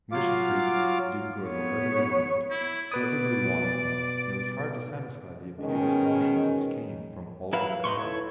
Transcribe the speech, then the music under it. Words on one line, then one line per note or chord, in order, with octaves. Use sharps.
The Mission Priests did good wherever they went; everybody wanted them, and it was hard to satisfy the appeals for missions which came from all over the country.
F#3 F4 F5 D6
B3 C#5
E4
B2 B4 D5 D#6
B2 D#3 G#3 C#4
F#3 E4 B4 F5
D#4 B4 C6 C#6
E4 A4 C#5